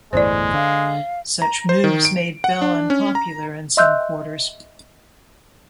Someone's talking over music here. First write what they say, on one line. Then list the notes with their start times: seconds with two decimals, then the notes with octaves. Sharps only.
Such moves made Bell unpopular in some quarters.
0.13 G1 E2 A2 G#3 C5 D5
0.54 D3 F5
1.42 A#5
1.69 C5
1.84 D#3
2.05 D7
2.44 F#5
2.62 D4
2.90 C#4
3.15 A#5
3.77 D#5 E5 C6 E6 F#6 G6